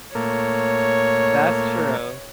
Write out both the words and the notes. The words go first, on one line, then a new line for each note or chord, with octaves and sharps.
That's true.
A#2 A3 A#3 C#5